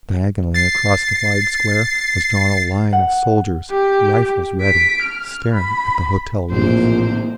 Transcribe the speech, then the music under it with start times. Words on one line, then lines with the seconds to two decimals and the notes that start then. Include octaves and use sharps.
Diagonally across the wide square was drawn a line of soldiers, rifles ready, staring at the hotel roof.
0.54 A6 C7
2.93 F#5
3.71 G4
4.61 B6 D7
5.03 F6
5.54 B5
6.51 A#1 A2 C3 E3 A#3 C5